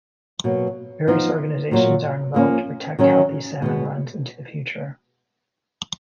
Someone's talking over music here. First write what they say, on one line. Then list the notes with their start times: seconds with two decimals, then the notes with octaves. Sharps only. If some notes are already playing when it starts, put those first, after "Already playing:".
Various organizations are involved to protect healthy salmon runs into the future.
0.44 B2 F#3 A#3
1.08 F3 B3 D#4
1.71 A#2 F#3 A#3
2.34 F3 A#3 C#4
2.99 D#3 F#3 C#4
3.62 B2 G#3 B3